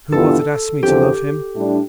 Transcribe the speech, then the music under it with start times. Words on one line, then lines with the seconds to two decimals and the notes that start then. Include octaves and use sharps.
"Who was it asked me to love him?"
0.12 G2 E3 B3 D4 F4 A4
0.83 E2 D3 F3 C4 G4
1.54 A2 G3 D4